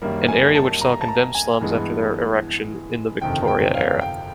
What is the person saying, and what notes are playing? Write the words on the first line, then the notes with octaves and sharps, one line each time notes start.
An area which saw condemned slums after their erection in the Victoria era.
F#2 D#3 G3 A#3
G#5
A5
A#5
A5
A#5
G#5
G2 E3 G#3 B3
G1 F2 C3 D#3 G5
G5
F5
G5